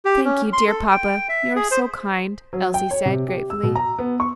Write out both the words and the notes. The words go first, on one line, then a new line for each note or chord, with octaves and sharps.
"Thank you, dear papa, you are so kind," Elsie said, gratefully.
G4
C#4
C6
A4
G5
E5
G#4
C5
F#3
G5
C#5
C3
G4
E6
B2
A#5
B3
C#6